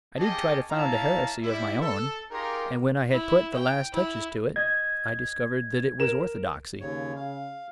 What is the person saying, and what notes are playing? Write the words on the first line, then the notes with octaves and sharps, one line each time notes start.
I did try to found a heresy of my own; and when I had put the last touches to it, I discovered that it was orthodoxy.
A#3 C#4 G4 G#4 D#5 A5
A#3 E4 C#5 F5 A5 A#5
G3 E4
A4
D#4 F4 G4 G#4 A#4
E4
G5
E4
D#5 G#6
A#4 E7
D#2 C#3 C#5
F5